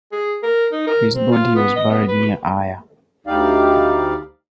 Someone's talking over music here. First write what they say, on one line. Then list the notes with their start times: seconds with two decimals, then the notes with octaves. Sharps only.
His body was buried near Ayr.
0.12 G#4
0.43 A#4
0.72 D#4
0.87 A#4
1.15 C4
1.32 F4
1.56 B3
1.76 D#5
1.91 B3
2.08 B4
3.27 D2 G3 D#4 G4 D5 F5